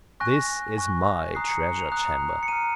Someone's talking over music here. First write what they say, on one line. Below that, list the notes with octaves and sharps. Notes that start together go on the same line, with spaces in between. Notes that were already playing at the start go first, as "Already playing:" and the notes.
This is MY treasure-chamber.
G#5 C#6 F#6 A#6
G#5 C#6 F#6
A#5 D#6 F#6 C7
C#7
F7
A#5 D#6 F#6
C#7
A#5 F6 D#7